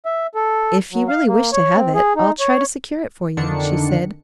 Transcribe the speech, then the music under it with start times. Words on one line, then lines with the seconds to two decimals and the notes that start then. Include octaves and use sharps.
"If you really wish to have it, I'll try to secure it for you," she said.
0.05 E5
0.35 A4
0.93 F#3
1.08 F5
1.27 A#3
1.52 C#5
1.77 C4
1.94 G#4
2.16 D#4
2.40 C#5
3.37 F2 D3 D#3 D4 C#7